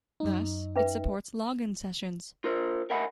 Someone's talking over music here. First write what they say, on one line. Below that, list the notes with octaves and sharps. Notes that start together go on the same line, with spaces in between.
Thus it supports login sessions.
F#2 D#4
C#4 B4 E5
F4 A#4 C5
A#4 D#5 E5 F#5 G#5 B5